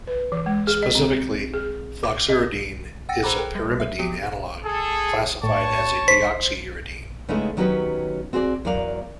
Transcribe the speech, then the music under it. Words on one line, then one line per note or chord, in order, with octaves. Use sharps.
Specifically, floxuridine is a pyrimidine analog, classified as a deoxyuridine.
B4
E3
G#3
G#4
D#5
C4
G#4
D6
D#5
F#5 G5 E6 A6 A#6 C#7
G#4 C5 A#5 B5 D6 F#6
A4 A#4 G5
G3
E5
F3 B3 F#4 G4
G#4 A4
A2 C#5 A5 C#6
C5 B6
C#3 G#3 A3 B3 D#4 E4
D#3 F#3 B3 C#4 G4 B4
C4 F#4 G#4 C#5 D5
E2 F#3 A#4 D5 F5